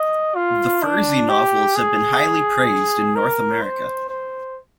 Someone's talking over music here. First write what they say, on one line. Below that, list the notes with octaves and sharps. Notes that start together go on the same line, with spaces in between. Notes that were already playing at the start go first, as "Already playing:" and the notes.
The Fursey novels have been highly praised in North America.
Already playing: D#5
F4
D4
G4
G#4
A#4
C5
C5